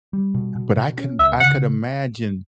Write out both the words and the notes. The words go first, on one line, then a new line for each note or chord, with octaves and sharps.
but I can I could imagine
G3
B2
B2
B2
C#4
C#2 E5
C#3 F#5